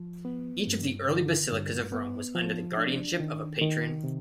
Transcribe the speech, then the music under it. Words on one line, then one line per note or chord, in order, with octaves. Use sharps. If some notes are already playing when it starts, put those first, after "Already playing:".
Each of the early basilicas of Rome was under the guardianship of a patron.
Already playing: F3
B3
G2
D3
G2
B3
F3
D4
D#3
D#3
C3